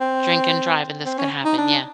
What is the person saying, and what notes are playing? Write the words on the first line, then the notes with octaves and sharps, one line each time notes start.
drink and drive, and this could happen, yeah.
C4
C4
C#4
D#4
D4